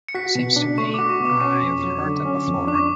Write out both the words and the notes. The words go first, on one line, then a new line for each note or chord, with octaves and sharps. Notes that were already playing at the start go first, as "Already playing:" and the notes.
Seems to me I've heard that before.
C#7
F#4 B6
B2
D4
A3 C#6
D6
F#4
C#6
B2
D6
C#4 C#6
F2
F#3
D3
C#4
F2
D4 D6
C#6